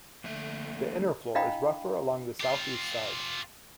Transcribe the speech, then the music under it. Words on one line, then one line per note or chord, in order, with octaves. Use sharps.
The inner floor is rougher along the southeast side.
F2 D3 A3 A#3 E5
D4 E4 D#5 F5 G5 B5
F4 G4